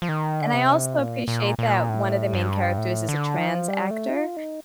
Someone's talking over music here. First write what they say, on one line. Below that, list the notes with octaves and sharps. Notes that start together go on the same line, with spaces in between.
And, I also appreciate that one of the main characters is a trans actor,
F3
D#3
D3
C3
A#2
A#2
A#2
A2
G2
A2
D3
F3
G3
A3
D#4
F4
D#4